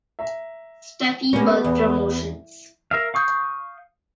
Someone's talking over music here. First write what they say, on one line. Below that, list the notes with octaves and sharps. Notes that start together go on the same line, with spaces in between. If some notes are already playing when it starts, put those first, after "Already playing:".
Steffy Bull Promotions.
E5 A#5
G3 A#3 B3 C#4 G4
E2
A#4 E5 F5
F5 C#6 D#6 G6